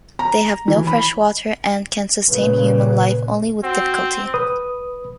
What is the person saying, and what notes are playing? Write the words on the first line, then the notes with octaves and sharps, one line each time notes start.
They have no fresh water and can sustain human life only with difficulty.
A#5
E3
B5
A#2 C#3 B4
C4 F#4
B4 D#6